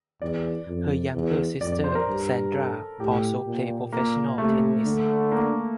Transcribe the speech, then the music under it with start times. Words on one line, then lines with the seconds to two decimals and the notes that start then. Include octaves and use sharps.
Her younger sister Sandra also played professional tennis.
0.22 E2 D5
0.68 F2
1.14 E2
1.60 F2 D5
1.72 D5
1.84 C5
1.95 A#4
2.08 G2
2.53 A4
2.99 A2 G4
3.46 A#2
3.93 A#2 A#3
4.38 C3 A3
4.84 D3
5.32 A#3